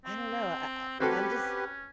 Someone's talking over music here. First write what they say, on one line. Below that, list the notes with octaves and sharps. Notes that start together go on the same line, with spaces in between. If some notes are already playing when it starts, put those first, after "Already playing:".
I don't know, I I I'm just
C4
C4 C#4 F#4 G4 A4 B4